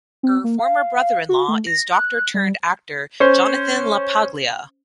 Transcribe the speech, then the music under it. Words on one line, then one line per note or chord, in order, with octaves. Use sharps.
Her former brother in-law is doctor-turned-actor Jonathan LaPaglia.
C4
A#3
F5
F#4
A3
A#6
F#6
G3
C#4 C5